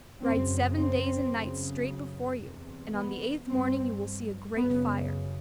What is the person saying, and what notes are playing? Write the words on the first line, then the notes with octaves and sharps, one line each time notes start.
Ride seven days and nights straight before you, and on the eighth morning you will see a great fire.
F#2 C#3 C4
C4
F#2 C#3
E2 C3
B3
G2 C4
F#2 C#3 B3